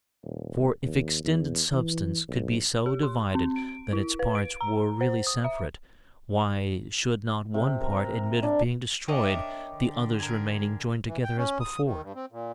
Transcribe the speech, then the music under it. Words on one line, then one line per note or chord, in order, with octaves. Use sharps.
For if extended substance could be so divided that its parts were really separate, why should not one part admit of being destroyed, the others remaining joined together as before?
D#1
D#2
E2
E3
B1
G4
C6
C4
D7
E4
B4
D7
A#5
C5
D#6
E5
C3
A#4
D4
A#3 D4 C#5 D#5 E5 G5 D6
D3
G#4 A#4
E3
G5
C#4
D#6
D#3
G2
C4
A#2